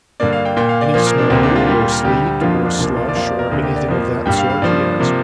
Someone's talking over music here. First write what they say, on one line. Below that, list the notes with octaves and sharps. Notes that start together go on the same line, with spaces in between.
'Any snow, or sleet, or slush, or anything of that sort?' he asked.
G2 D3 A#3 D5
F5
G5
A#2 A#3 G5
F5
D5
A#2 F3 A#3
A#4
D4
D2 C3 A#3 C4
D4
F4
A#2 G3 A#3 G4
F4
A#4
D2 D3 G3 G4
F2 D3 F3 A#3 F4
D4
C2 C3 F3 A#3 D4
F4
D5
F2 C3 F3 A#3 F5
D5
A#4
D2 D3 A#3
G4
D5
F2 F3 A#3
G2 G3 A#3 G5
F5
F5
G2 F3 A#3 D5
C3 F3 A#3